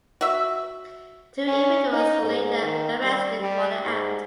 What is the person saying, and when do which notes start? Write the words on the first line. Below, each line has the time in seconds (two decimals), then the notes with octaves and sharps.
Two individuals were later arrested for the act.
0.21 F#4 E5
1.48 C#4
1.93 D#4
2.22 G#2
2.62 D#3
3.03 G3
3.41 G3
3.85 G#2